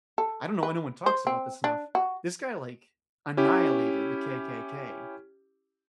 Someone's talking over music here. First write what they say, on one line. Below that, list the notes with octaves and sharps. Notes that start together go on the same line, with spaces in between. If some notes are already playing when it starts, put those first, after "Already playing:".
I don't know why no one talks about this enough, this guy, like, annihilated the KKK,
A4
B4
C5
C4
D4
F#4
C#4 E4 G4